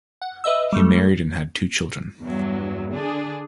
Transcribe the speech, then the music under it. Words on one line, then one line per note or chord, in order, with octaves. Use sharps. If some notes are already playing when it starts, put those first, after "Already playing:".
He married and had two children.
F#5
B4 D#5 E5 E6
G3 A3 A4
E2 G2 F#3
D3 D4 G#4